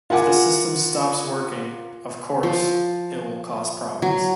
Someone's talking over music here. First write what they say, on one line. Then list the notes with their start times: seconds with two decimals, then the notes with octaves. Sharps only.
If the system stops working, of course, it will cause problems.
0.10 F4 A#4 F#5 G#5 D6
2.43 F3
4.02 F#3